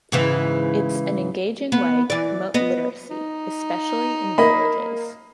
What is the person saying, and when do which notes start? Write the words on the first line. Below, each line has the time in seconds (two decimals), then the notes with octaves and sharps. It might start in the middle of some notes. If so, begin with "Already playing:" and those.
It's an engaging way to promote literacy, especially in villages.
0.12 G#2 C#3 E3
1.72 B3
2.10 E3 D5
2.54 B3 D#5
3.10 D#4
4.38 A#3 D#5 B5